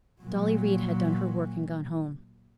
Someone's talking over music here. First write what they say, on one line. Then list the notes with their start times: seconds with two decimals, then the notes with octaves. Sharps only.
Dolly Reid had done her work and gone home.
0.21 A#2 F#3